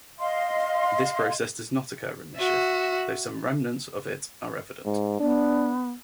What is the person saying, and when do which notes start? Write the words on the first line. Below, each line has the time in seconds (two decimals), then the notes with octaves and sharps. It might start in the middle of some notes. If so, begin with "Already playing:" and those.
This process does not occur in Michif, though some remnants of it are evident.
0.19 D#5 F5 C6
2.38 F#4 E5
4.86 G#2
5.20 B3 D4